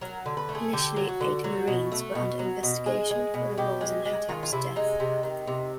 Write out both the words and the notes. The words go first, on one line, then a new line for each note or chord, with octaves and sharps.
Initially eight Marines were under investigation for their roles in Hatab's death.
F#3 A#4
D3
B4
A3
G#4
D3 G4
F#3
F#4
D3
F#3 F#4
B2
A3
B2
F#3
B2
G#3 G#4
G#3
B2
B2 G4
G#3
G#3
D#3 F4
F4
C3 E4
G#3 D#4
C3
D#3
C3